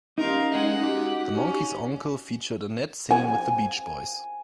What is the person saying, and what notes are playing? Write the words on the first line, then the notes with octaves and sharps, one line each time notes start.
"The Monkey's Uncle" featured Annette singing with the Beach Boys.
C#4 D#4 G4 A#4 F5 C6
G#3 G#4 D#5 F#5
F#4 G4
C#4
G#5